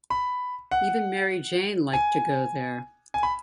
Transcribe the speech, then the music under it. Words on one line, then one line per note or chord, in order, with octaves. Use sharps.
Even Mary-Jane liked to go there.
B5
F#5
G#5
G#5
B5